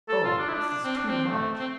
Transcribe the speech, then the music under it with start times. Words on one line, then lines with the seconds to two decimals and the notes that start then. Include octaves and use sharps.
"Oh, this is too much!"
0.09 A4
0.24 F4
0.39 D4
0.48 E4
0.54 D4
0.69 D4
0.84 C4
0.96 D4
1.09 C4
1.29 A3
1.59 C4